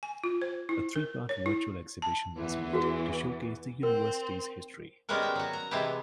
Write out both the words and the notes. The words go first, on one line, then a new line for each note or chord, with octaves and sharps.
A three part virtual exhibition was made to showcase the university's history.
G#5
F4
C5
E4
A#4
C#5
E4
A5
E2 E3
F#4 G#4
C4 A#4
G3 G#3 B3 C#4 F#4 A#4
G5
F#3 F#4
A#5
C3 E3 G#3 B3 E4 G4